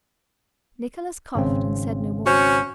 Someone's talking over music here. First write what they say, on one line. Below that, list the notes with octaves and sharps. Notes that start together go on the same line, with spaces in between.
Nicholas coughed and said no more.
G#1 C#3 C4
C#4 F#4 C5